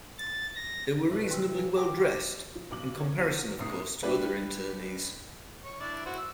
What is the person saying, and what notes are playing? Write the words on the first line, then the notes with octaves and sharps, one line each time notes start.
They were reasonably well dressed; in comparison, of course, to other internees.
A6
A#6
B1 F#2 A3 B4
C2 C4
C#3 E3
F#4 G4 A#4
F#4
F3
B1 D6 F#7
C#5
E2 F3 F#4 D#7
G1 C2 A3 D#6 C7
G3 D4 G4 B4 E5
C#5
D4 E4 D5
E4 F#4 C5
E6